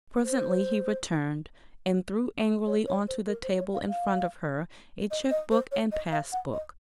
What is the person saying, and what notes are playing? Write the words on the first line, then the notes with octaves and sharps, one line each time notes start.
Presently he returned, and threw angrily on to the table in front of her a cheque-book and pass-book.
C5
C#5
C#5
C5
A#4
C5
C#5
F5
F5
D#5
D#5
C5
C#5
D#5
F5
F#5
D#5